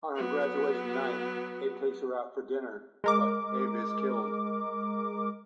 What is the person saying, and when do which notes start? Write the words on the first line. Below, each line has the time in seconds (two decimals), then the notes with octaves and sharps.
On her graduation night Abe takes her out for dinner, but Abe is killed.
0.16 F#3 B3
3.04 G#3 A#4 D6